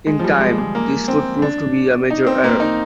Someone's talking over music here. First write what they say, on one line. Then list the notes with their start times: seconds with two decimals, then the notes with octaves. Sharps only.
In time, this would prove to be a major error.
0.07 G#3
0.19 F3
0.24 G3
0.40 G#3
0.58 G#3
0.75 A#3
1.08 C4
1.42 D4
2.10 D#4
2.27 C4
2.44 A#3
2.60 D#4